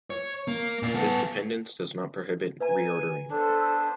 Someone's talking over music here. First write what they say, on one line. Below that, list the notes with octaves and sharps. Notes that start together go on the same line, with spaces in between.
This dependence does not prohibit reordering.
C#5
A#3
A#2 A#3
B3 A4
B4 E5 G#5 A#5
B3 D4 A4 C5